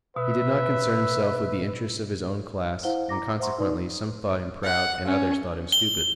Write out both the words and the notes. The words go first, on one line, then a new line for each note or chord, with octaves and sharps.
He did not concern himself with the interests of his own class, and consequently some thought him proud and others thought him stupid.
B2 B4 E5
E4 C5 F5 F#5 G7
A#5 D6 A#6
C5 E5 F#5 A#5 C6 C#6
D#4 B4 D5 D#6
F#5
C#4
G7